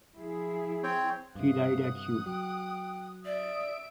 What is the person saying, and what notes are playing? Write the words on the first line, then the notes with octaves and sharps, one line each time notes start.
He died at Huy.
F3 E4 G#4
C4 C#5 G5
G2 C3 F5 F#5 D#6
F#3 G5
D5 E5 D#6 D7